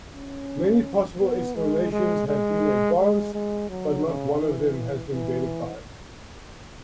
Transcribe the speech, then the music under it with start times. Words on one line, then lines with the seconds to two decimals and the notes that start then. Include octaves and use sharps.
Many possible explanations have been advanced, but not one of them has been verified.
0.13 C#4
1.21 B3
1.56 G#3
1.92 G#3
2.28 G#3
2.99 G#3
3.34 G#3
3.70 F#3
4.05 C#3
4.41 E3
5.11 E3